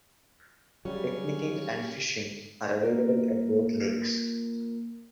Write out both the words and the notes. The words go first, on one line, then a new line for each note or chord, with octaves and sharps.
Picnicking and fishing are available at both lakes.
C#3 F#3 G3 C#4 G4
A#3 F4 A#4